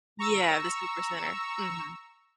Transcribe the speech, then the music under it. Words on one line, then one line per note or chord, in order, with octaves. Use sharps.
Yeah, the Supercenter, mhm.
A#5 C#6 E6